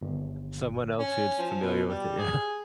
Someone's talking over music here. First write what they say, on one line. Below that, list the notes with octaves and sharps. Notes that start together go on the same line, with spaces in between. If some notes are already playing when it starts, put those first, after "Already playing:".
Someone else who's familiar with it. yeah.
G1
C#4
F3
B2
G3
G#4